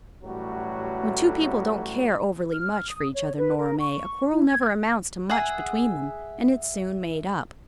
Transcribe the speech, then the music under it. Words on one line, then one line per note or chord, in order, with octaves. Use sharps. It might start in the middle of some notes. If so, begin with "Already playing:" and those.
When two people don't care overly much for each other, Nora May, a quarrel never amounts to much between them, and it's soon made up.
A1 A2 F#3 G3 F#4
F6
D#6
C#5
B4
A#4
C#6
E4
G#6
G#4 E5 F#5